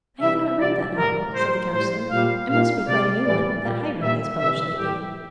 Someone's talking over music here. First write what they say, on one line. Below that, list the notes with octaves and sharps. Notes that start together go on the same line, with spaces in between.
"I have not read that novel," said the Councillor; "it must be quite a new one, that Heiberg has published lately."
C3 E3 G3 E5
C3 E3 G3 D5
A2 G3 A#4
A2 G3 C5
A2 G3 C5
A#2 G3 F5
A#2 G3 F5
C3 G3 D5
A2 E3 G3 D5
A#2 G3
A#2 G3 E5
C3 E3 G3 E5
A2 G3 G4